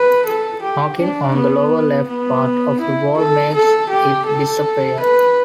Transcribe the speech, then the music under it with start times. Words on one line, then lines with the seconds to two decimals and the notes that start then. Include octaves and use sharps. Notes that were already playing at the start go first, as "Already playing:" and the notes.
Knocking on the lower left part of the wall makes it disappear.
Already playing: B4
0.26 A4
0.62 G4
0.99 D4
1.35 B3
2.08 B3
2.80 E4
3.17 A4
3.54 A4
3.90 G4
4.26 A4
5.00 B4